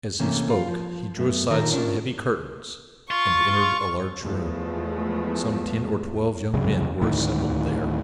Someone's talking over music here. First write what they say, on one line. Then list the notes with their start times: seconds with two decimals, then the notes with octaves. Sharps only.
As he spoke he drew aside some heavy curtains and entered a large room. Some ten or twelve young men were assembled there.
0.20 C3 E3 A3 A#3 C#4
0.50 F4
0.68 F3
1.17 F#2 A3 B3
1.51 A#2 D#3 D4 D#4 F4 A#4
1.72 C#4 D4 F4 A#4
3.11 F4 C#6
4.21 E2 F3 G#3 A3
6.54 C2 F#2 C#3
7.01 D2 A2 D#3